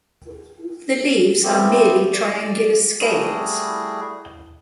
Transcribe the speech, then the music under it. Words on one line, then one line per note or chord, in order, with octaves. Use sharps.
The leaves are merely triangular scales.
A3 B3 C4 G4
D5
G3 A3 F#4 G#4